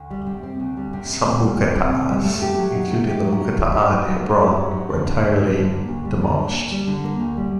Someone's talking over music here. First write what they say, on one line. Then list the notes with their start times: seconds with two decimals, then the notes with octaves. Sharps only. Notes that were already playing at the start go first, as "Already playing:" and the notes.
Some Mukataas, including the Mukataa in Hebron, were entirely demolished.
Already playing: D2
0.10 G3
0.27 C3
0.43 C4
0.60 D2
0.77 G3
0.93 C3
1.10 C4
1.26 D2
1.42 G3
1.59 C3
1.76 C4
1.92 D2
2.09 G3
2.25 A3
2.42 G4
2.58 F#3
2.75 D#4
2.91 A3
3.08 G4
3.25 F#3
3.41 D#4
3.57 A3
3.74 G4
3.90 F#3
4.06 D#4
4.24 A3
4.40 G4
4.56 F#3
4.73 D#4
4.89 D3
5.05 A#3
5.22 D2
5.39 G3
5.55 D3
5.72 A#3
5.88 D2
6.05 G3
6.21 D3
6.38 A#3
6.54 D2
6.71 G3
6.87 D3
7.04 A#3
7.20 D2
7.37 G3